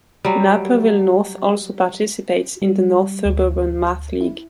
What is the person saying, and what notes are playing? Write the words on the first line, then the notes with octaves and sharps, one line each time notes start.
Naperville North also participates in the North Suburban Math League.
F#3 G3
G3
D2
E4